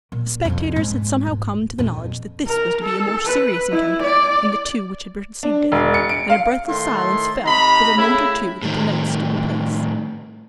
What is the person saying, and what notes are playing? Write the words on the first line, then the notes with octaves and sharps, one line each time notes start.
The spectators had somehow come to the knowledge that this was to be a more serious encounter than the two which had preceded it, and a breathless silence fell for the moment or two that the knights stood in place.
A#2
C2 F2
G#2
D#1
F2 A#2
A#4
A4
B4
E4
D5
D4
E1
C#7
D7
F5
A2 D#3 A4 C6
C3 D#4 A#5 B5
A2 C#3 E4
A2 D#3